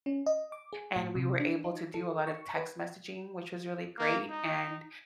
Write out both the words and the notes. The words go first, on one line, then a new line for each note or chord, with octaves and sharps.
And we were able to do a lot of text messaging, which was really great, and
C#4
D#5
D6
G#4
A2
C3
D4
D#4
A4
C#6
B4
A#3
D#4